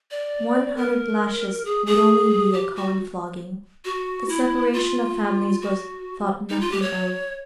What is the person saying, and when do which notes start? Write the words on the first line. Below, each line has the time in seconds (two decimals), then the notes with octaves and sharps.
"One hundred lashes would only be a common flogging." The separation of families was thought nothing of.
0.11 D5
0.77 A#4
1.65 G#4
1.86 G#4
2.53 G4
2.76 F#4
3.85 F#4
4.29 E4
4.73 F4
5.61 F#4
6.49 D#4
6.61 F4
6.71 G4
6.82 C#5